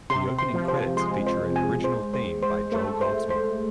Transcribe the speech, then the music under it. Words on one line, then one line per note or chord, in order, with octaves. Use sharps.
The opening credits feature an original theme by Joel Goldsmith.
C3 C6
C6
F3
C5
G#3 C6
C5
G#5
C5
C5
C5
A3 C5
C5
C5